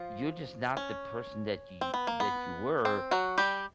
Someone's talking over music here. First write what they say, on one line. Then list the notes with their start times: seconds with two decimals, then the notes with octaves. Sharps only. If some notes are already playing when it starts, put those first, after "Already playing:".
you're just not the person that you that you were
Already playing: F3 F4
0.77 C#4
1.81 C4
1.94 B3
2.07 A#3
2.20 B3
2.85 C4
3.11 F#3 F#4
3.38 G3 G4